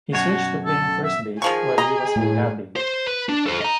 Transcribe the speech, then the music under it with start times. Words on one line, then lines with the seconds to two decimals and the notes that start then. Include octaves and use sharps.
He switched to playing first base while he was rehabbing.
0.13 F#2 B2 F#4 C#5
0.65 A4
1.03 E5
1.42 D#3 F3 G#4 C#6
1.78 D#5 A#5
2.16 A2
2.76 C5
3.08 B4
3.29 D4
3.46 A4 C5
3.61 D#5 A#5